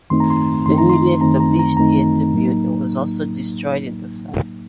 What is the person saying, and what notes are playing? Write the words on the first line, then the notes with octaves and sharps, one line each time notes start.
The newly established theater building was also destroyed in the fire.
F#2 D#3 A3 C4 D#4 C6
A#5
C6
F#2 D#3 A3 C4 D#4 C6
A#5
C6
F#2 D#3 A3 C4 D#4 A#5
A#5
A#5
F#2 D#3 A3 C4 D#4 A#5
A2 F#3 A#3 D#4